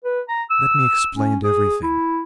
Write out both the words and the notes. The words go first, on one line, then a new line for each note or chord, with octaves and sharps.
Let me explain everything.
B4
A#5
E6
C#4
G#4
E4